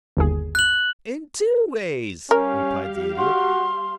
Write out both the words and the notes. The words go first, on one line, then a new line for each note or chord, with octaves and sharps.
"In two ways," replied the Idiot.
G1 D#2 G#4
F#6 F#7
G3 C#4 G4 A#4 F5
F#4 C6